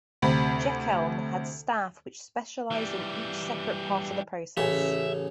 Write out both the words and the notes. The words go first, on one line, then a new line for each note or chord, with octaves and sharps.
Jeckeln had staff which specialised in each separate part of the process.
D2 C3 B5
E3 G3
A1 C#3 E5